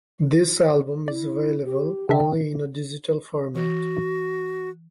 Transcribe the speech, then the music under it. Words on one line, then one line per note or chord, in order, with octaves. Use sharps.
This album is available only in a digital format.
E4 D5
G4
C#3 D4 E5 G5
E3 F#4